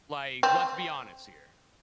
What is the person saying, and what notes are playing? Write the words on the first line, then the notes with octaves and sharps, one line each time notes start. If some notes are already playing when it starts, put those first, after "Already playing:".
Like, let's be honest here.
C4